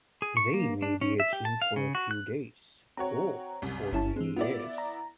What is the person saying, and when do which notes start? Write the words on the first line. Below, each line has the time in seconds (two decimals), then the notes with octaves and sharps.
They may be a team for a few days, or for many years.
0.22 G#4
0.37 C#6
0.54 A#3
0.82 D4
1.01 C#4
1.20 E5
1.33 G4
1.45 A5
1.62 F5
1.76 C#3
1.95 F#4
2.11 F#6
2.97 C4 F#4 C#5 A#5
3.62 C2 F#2
3.92 G1 C#4 E4 A5
4.16 E3 G#3 C4
4.37 B3 E4 F4 D5
4.78 A#5